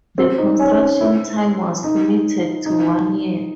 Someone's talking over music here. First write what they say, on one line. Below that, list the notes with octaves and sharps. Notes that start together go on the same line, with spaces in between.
The construction time was limited to one year.
C4
D#4
C#4
E4
D#4
D#4